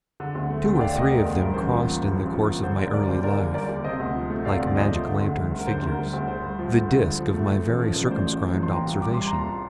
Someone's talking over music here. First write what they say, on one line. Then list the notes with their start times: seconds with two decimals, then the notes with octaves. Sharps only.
Two or three of them crossed in the course of my early life, like magic-lantern figures, the disk of my very circumscribed observation.
0.20 D3
0.35 D2
0.50 A3
0.65 D2
0.75 G5
0.80 D3 D5 F5
0.95 D2 D#5
1.11 A3 A#4 D5
1.25 D2
1.41 G2 A#4
1.54 A1 C5
1.65 A#4
1.72 F3
1.88 A#3
2.03 G2
2.17 A1
2.33 F3
2.48 A#3
2.63 D3 C5
2.78 D#2 A#4 D5
2.93 G3 A#4 D5
3.09 D#2 C5
3.23 D3 A#4 D5
3.39 D#2
3.54 G3 A#4 D5
3.69 D#2
3.84 C3 C5 D#5
4.00 D2
4.15 F3
4.30 A3
4.45 C3 D5 F5
4.60 D2
4.67 D5
4.76 F3 C5 D#5
4.92 A3
5.06 D3
5.21 D2
5.37 G3
5.52 D2
5.59 A#4
5.67 D3 C5
5.83 D2 A#4
5.98 G3
6.13 D2
6.28 D3 C5
6.43 G2
6.59 F3
6.74 A3
6.89 D3
7.04 G2
7.19 F3
7.34 A3
7.50 A2
7.66 A1
7.80 F3
7.95 A1
8.06 D5
8.11 A2 C5
8.25 A1
8.41 F3
8.56 A1
8.63 C6
8.72 A#2 G5 A#5
8.86 C2
9.02 G3 D6
9.14 C2 C6
9.26 A#5
9.32 A#2
9.39 A5 C6